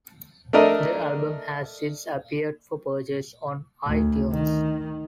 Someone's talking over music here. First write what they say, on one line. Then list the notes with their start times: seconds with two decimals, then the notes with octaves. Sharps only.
The album has since appeared for purchase on iTunes.
0.53 A3 D4 A#4 D#5 E5
3.86 D2
4.32 D#3